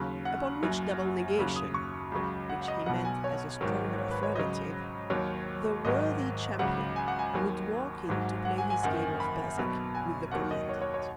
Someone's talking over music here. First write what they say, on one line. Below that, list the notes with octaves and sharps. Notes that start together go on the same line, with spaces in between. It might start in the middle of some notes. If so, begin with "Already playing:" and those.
Upon which double negation, which he meant as a stronger affirmative, the worthy champion would walk in to play his game of bezique with the commandant.
Already playing: D#2 C#3 F#3
F#5
F#1 F#2 F#3
D#2 C#3 F#3
D#6
C#6
C#2 C#3 F#3
F#5
F#5
D#5
B1 B2 F#3 F#5
G#5
C#5
G#1 G#2 D#3 F#3
C#5
B4
C#5
C#2 C#3 F#3 D#5
D#2 D#3 F#3 C#5
G#1 G#2 D#3 F#3 D#5
C#2 C#3 F#3 F#5
G#5
F#5
G#5
D#2 D#3 F#3
G#1 G#2 F#3
F#5
G#5
G#5
F#1 F#2 D#3 F#5
G#5
B5
B1 B2 F#3
G#5
D#2 D#3 F#3 F#5
D#5
C#5
C#5
C#5